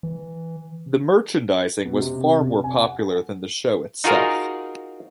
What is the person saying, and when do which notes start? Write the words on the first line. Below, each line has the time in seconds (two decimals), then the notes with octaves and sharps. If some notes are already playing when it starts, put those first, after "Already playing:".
The merchandising was far more popular than the show itself.
0.03 E3
1.85 B2
2.01 C3
2.41 C3
2.64 G#5
2.82 F#5
4.04 D#4 F4 F#4 G#4 A#4